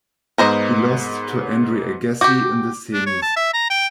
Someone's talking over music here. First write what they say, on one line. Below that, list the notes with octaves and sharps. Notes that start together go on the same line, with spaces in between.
He lost to Andre Agassi in the semis.
G#2 B3 A#4 C5 D#5
F#4 G4 D6 G6
D4
C#5
A5
E5
A#5
G5